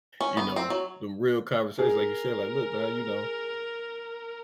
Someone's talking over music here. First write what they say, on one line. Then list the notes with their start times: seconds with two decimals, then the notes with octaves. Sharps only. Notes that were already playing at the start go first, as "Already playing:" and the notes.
you know, them real conversations like you said, like, look now, you know,
0.21 C#4
0.37 B3
0.56 C4
0.70 F#3
1.79 G#4 A#4